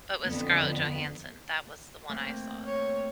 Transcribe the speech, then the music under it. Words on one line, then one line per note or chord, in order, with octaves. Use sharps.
But was Scarlett Johansson, that was the one I saw
F2 D3 B3
A3 A#3 C4
C#5